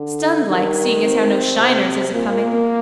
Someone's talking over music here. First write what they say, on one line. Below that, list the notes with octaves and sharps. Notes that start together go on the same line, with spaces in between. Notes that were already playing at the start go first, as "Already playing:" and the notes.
Stunned like, seeing as how no shiners is acoming.
Already playing: D3
D#3 G3
C4
C3
A#2 A#3